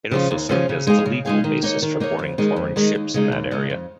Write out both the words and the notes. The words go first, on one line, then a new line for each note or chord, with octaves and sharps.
It also served as the legal basis for boarding foreign ships in that area.
C#3 F3 C#4 F4
D#2
C#3 F3 C#4 F4
C#3
G#3 D#4 G#4 F5
C#3
G#3 D#4 G#4 F5
D#3
A#3 D#4 C#5
D#3
A#3 D#4 C#5
F2
D#3 G#3 D#4
F2
D#3 G#3 D#4
D#2
C#3 G#3 D#4
D#2
C#3 G#3 D#4
F2